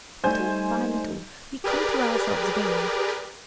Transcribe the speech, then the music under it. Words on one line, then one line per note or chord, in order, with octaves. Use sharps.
Little by little we come to ourselves again.
G3 A3 D#4 C5 G#5 G6
G4 G#4 A#4 B4 D5